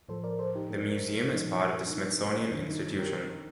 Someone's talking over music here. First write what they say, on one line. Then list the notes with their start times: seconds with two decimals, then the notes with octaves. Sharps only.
The museum is part of the Smithsonian Institution.
0.09 A2 F3 A4 C5
0.24 A#4 D5
0.39 A4 C5
0.55 D#4 G4
1.31 A#2 F3 D#4
1.87 D4
1.92 D#4
2.52 F2 D#3 D4
2.68 D#4
2.99 G4 A#4